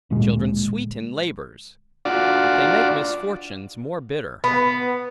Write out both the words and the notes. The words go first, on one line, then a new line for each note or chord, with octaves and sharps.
Children sweeten labors; but they make misfortunes more bitter.
D1 D2 A#2 G#3
D4 F4 F#4 D5
B3